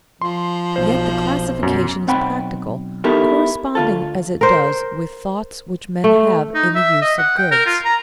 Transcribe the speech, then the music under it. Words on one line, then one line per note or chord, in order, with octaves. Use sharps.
Yet the classification is practical, corresponding as it does with thoughts which men have in the use of goods.
F3 C6
B1 C5
F#2 B2
B1 C4 F#5 G5 B5
B3 D#4 E4 G4 A4 A#4
D2 F4 A4
A#4 C5
A3
D#4
E5
D#5
F#5
G5
A#4
F4
A#5